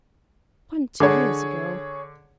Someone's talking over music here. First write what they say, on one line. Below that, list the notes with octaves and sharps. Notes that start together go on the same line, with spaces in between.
Twenty years ago!
D3 G#4 C#5